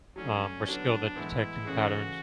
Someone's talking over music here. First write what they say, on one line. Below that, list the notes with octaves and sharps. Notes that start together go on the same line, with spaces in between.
Um, we're skilled at detecting patterns,
F#3 A3 C#4 D4
D3 F#3 B3 D4 F#4 C#5
A2 E3 G#3 B3 E4
C#3 E3 A3 C#4 F#4 G#4